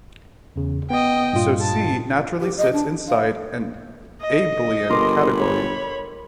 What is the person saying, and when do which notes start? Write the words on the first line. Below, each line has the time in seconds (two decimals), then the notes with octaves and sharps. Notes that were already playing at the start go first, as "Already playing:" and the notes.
So "C" naturally sits inside an abelian category.
0.56 E2 C#3
0.90 B3 D#5 G5
1.33 G2 A#2 F4
1.61 A5
2.40 G4
2.57 D#5
2.73 D4
3.09 F5
4.21 D#5
4.89 G1 A#4 C6 D6
5.34 C#5 B5